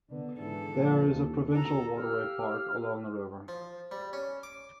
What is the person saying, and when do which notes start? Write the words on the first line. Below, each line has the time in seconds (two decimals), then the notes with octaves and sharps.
There is a provincial waterway park along the river.
0.10 D3 B3 D4
0.39 G#2 E3 A4
0.74 F2 A#2 F3
1.08 D#2
1.52 D2 C3 A4 A#5
1.94 G4 F5 E6 F6
3.48 F3
3.91 G3
4.13 C#4
4.43 D6